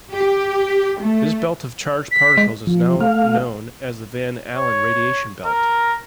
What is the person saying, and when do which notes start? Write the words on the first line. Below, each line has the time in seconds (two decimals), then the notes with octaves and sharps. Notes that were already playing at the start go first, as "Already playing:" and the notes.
This belt of charged particles is now known as the Van Allen radiation belt.
0.13 G4
1.01 A3
2.11 B6
2.37 G#3
2.67 F3
3.00 A3 F5
4.56 C#5
5.45 A#4